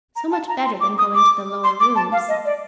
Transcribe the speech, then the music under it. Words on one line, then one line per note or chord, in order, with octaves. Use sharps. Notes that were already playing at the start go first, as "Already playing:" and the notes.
So much better than going to the Lower Rooms.
A#5
A5
A#5
C6
D6
D#6
D6
C6
D6
A5
F5
D#5
D5